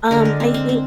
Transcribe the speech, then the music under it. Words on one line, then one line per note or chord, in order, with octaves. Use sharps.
Um, I think
D3 G#3 A#4
D4
C4
C4
C4